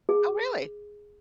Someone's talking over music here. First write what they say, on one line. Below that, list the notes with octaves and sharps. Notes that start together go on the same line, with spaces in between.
Oh, really?
G#4